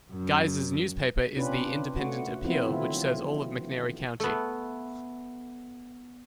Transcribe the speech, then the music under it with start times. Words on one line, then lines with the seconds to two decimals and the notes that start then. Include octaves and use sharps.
Guys's newspaper is the "Independent Appeal", which serves all of McNairy County.
0.11 F#2
1.36 C3 C#4 D4 F4 G4 B4
1.96 A3 F#4
2.44 F3 B3 C4 E4 F4
2.68 D3 D#3 F#3 A3 E4 F4
4.20 A3 B3